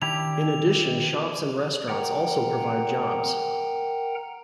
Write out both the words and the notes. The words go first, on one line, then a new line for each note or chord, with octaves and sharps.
In addition shops and restaurants also provide jobs.
D#3 D4 E4 G4 F7
A#4 F#5 G5 A#5